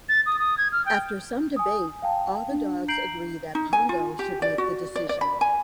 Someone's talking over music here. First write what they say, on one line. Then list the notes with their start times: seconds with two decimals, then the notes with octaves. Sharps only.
After some debate, all the dogs agree that Pongo should make the decision.
0.09 A6
0.26 D#6
0.39 D#6
0.58 G#6
0.72 F6
0.86 G5
1.56 G#5 D#6
2.02 F5 G5 A5
2.51 D4
2.88 A#5 G6 C7 D7 F#7
3.55 D#4
3.73 G#5
3.89 F4
4.19 G4
4.42 D5
4.58 F#4
4.96 D5
5.09 D5
5.21 B5
5.41 G#5